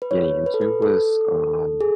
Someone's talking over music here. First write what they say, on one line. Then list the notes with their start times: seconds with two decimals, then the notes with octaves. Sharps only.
getting into was, um,
0.02 B4
0.11 C#5
0.46 B4
0.54 A4
0.61 B4
0.82 A4
1.81 G#4